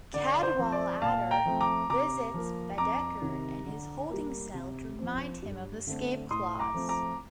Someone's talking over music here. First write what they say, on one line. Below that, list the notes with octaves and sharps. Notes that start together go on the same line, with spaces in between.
Cadwallader visits Bedeker in his holding cell to remind him of the escape clause.
D3 D5
C5
F3 C4
D5
A#2 F5 A5
G5 A#5
F3 A3 C4
A#5 D6
C3 A#5 D6
F3 A#3
F2 A#5 D6
C3 D#3
D3
G3 A#3
C3
F3 C4
G2
D3 A3 C4
A2 C6 D#6
A#5 D6
F3 A3 C4
A#5 D6